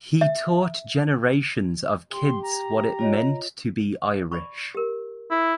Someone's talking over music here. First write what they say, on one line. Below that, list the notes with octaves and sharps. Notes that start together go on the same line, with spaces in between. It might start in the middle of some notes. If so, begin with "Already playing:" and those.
He taught generations of kids what it meant to be Irish.
E5
G4 C6
A#5
F4 C#5 D#5
D5 B5 C#6
G4 A#4
E4